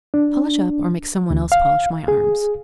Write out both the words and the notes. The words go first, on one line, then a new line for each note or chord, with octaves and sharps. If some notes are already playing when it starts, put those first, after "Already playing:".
Polish up or make some one else polish my arms.
D4
D2
F5
G#4